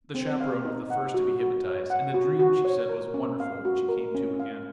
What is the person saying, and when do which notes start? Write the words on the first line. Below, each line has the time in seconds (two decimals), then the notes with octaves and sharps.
The chaperone was the first to be hypnotised, and the dream, she said, was wonderful, when she came to again.
0.15 C4
0.40 F5
0.65 D#4
0.90 F#5
1.14 F#4
1.40 F#4
1.64 C#5
1.90 F#5
2.14 F#4
2.39 F#4
2.65 C#5
2.89 A#4
3.14 C#4
3.40 F5
3.65 F#4
3.89 A#4
4.15 C#4
4.40 F5